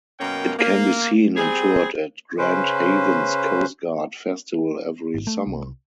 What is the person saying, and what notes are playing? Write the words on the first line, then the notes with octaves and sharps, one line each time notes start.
It can be seen and toured at Grand Haven's Coast Guard Festival every summer.
F#2 B2 A#3 C#4 G5
A#3
G3 C4 G#4
C#3 C#4 B4 C5
G#1
A3
C2